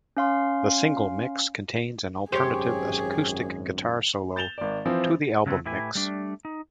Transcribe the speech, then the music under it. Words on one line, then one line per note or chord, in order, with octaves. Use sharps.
The single mix contains an alternate acoustic guitar solo to the album mix.
C#4 F5 C6
G#1 F#2 G4 G#4 C5 C#5
G6 A6 E7 F7 G7
G#1 D5
E3 F3 C4
C#3 F#3 A3 C4
A2 E4 G4 B4 G#5
G3 A3 D4
D#4